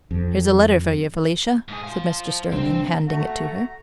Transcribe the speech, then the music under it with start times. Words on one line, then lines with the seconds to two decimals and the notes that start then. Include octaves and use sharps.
"Here's a letter for you, Felicia," said Mr. Sterling, handing it to her.
0.11 F2
1.68 G#2 G#4
1.84 C5 F5
2.53 C2 G3 C4 D4
3.08 A3 F#4 A#5